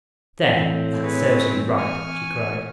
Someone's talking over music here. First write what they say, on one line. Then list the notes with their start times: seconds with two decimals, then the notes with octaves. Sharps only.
"There! that serves you right," she cried.
0.53 A2 E3 C4
1.03 G#4 B4 C#5
1.77 G#5 C#6 F6